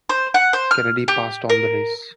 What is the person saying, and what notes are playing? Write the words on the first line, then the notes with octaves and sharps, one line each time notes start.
Kennedy passed on the race.
C5
F#5
C5
F6
G4
A#4